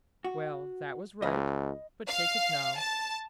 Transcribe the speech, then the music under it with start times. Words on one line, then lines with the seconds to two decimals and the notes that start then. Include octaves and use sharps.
Well, that was right, but take it now.
0.24 F#4
1.22 C#2 D#5 B5
2.08 F5
2.77 A5